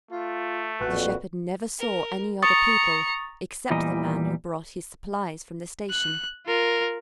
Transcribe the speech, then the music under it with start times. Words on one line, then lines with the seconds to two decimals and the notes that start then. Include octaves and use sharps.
The shepherd never saw any other people except the man who brought his supplies from the station.
0.11 A3 F4
0.81 A1 F2 A#2 F#4 B4
1.79 A#4
2.43 A#5 C#6 D#6 A6 C#7
3.70 E2 A#2 E3 G3 D#5 A#5
5.90 F#6
6.46 F4 A#4